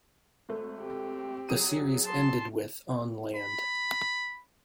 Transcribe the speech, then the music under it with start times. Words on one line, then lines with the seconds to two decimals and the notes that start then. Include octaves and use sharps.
The series ended with "On Land".
0.49 G#1 A3
0.80 C4 G4
1.49 F#3 G#4 D#7
2.06 A5 C6
3.36 B5